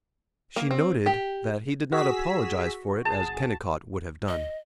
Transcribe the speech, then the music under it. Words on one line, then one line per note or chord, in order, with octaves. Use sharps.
She noted that he did not apologize for it, as Kennicott would have done.
A#3
C4
G4
F#4 G#4 E6 B6
G1 G#4 A5
D#5